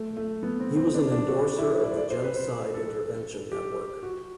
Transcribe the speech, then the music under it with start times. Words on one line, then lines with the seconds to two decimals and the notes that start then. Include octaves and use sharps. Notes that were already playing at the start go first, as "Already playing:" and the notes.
He was an endorser of the Genocide Intervention Network.
Already playing: A3
0.17 A3
0.43 B3
0.60 C4
0.77 C4
0.95 D4
1.11 D4
1.28 F#4
1.46 G4
1.59 E4
1.84 D5
1.92 C5
1.97 D5
2.10 C5
2.23 B4
2.36 C5
2.74 A4
3.52 G4
4.03 F#4